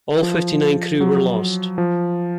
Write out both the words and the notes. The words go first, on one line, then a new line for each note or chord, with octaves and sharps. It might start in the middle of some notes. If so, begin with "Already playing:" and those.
All fifty-nine crew were lost.
F3
F#3
F3